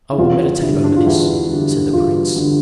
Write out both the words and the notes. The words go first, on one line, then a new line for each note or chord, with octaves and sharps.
"I will meditate over this," said the prince.
E4
E2 F4
D3 G3 E4
D4
F4
E2 E4
D3 G3
E2 F4
D3 G3